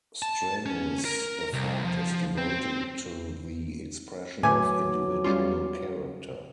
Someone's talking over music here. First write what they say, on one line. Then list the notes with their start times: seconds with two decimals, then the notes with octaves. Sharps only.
Strenuous effort is devoted to the expression of individual character.
0.22 A5
0.66 C#4
1.05 A#4
1.53 C2
1.84 F3
2.38 C4
4.43 A2 D3 F#3 A3 B4 G#5 D6
5.24 G3 C#4 F4